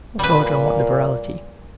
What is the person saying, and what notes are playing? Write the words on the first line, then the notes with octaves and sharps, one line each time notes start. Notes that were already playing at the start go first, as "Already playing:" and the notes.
What order and what liberality!
A#2 G3 B4